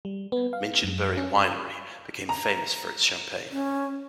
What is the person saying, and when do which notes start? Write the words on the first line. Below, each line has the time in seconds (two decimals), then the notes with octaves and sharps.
Minchinbury Winery became famous for its champagne.
0.05 G3
0.32 B3
0.53 F5
0.83 F#2
1.17 C#4
2.29 A#5
3.51 C#4